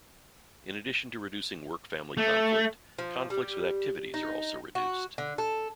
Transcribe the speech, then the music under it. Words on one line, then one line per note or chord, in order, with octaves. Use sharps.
In addition to reducing work-family conflict, conflicts with activities are also reduced.
A3
F3
G3
D#4
F#4
D3
A4